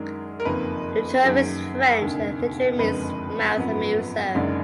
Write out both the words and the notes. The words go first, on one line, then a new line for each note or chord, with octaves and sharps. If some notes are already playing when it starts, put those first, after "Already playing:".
The term is French and literally means "mouth amuser".
Already playing: F#2 D#3 G#3 D4 A#4
A#4
F#1 F2 D#3 A#3 B4
F#2 D#3 F#3 G#4
F1 D#2 D3
F#1 F2 D3 G#3 B4
G#1 F#2 F3 B3
F#1 F#2 D3 G#3 D#4 D5